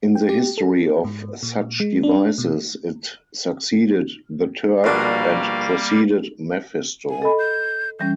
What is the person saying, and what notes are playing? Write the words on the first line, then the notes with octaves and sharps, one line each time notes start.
In the history of such devices, it succeeded "The Turk" and preceded "Mephisto".
G5
G4
A4
G#2
A#2
G#3
D4
B2
A#1 B2 G3 A#3 D4 F5
G#5
A4 D#5 B5
G6
E3 G3 C#4 G6